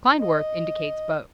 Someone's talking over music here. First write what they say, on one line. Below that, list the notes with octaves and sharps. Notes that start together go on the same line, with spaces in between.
Klindworth indicates both.
D#5